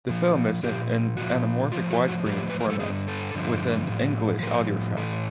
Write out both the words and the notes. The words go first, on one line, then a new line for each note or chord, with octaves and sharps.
The film is in anamorphic widescreen format with an English audiotrack.
A#2 F3
A#2 F3 G4
A#2 F3 F#4
A2 F3 F4
F#4
F#4
A2 F3 G4
B4
A#4
A4
G2 D3 F3 G#4
A4
G2 D3 F3
A2 F3
A2 F3 A#4
A2 E3 A4